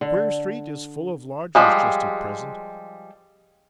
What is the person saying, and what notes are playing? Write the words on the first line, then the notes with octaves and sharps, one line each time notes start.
'Queer Street is full of lodgers just at present!
D3
F3 G3 G#3